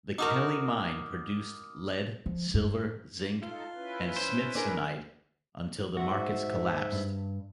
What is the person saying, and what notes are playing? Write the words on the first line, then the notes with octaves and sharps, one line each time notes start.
The Kelly Mine produced lead, silver, zinc and smithsonite until the markets collapsed.
D#4 F#4 A#4 D6 D#6 F6
F3
G2
D#4 F4 A4
C#4 E4 B4
C5
D4 G#4 A#4
G#2 F#4 E5
G2